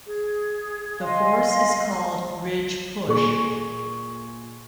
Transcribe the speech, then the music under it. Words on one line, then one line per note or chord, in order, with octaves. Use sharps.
The force is called ridge push.
G#4
D#5 F5 G#5 C6
A#2 G#4 C#6